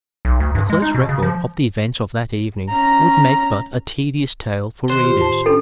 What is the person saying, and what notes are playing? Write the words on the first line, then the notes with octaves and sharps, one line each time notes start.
A close record of the events of that evening would make but a tedious tale for readers.
B1
D2
G2
G#3
D#4
B2
C#3
F3
C#4 A#5
D#3 C5 F#6
A2 F4 G4
A5
C#4 D4 A4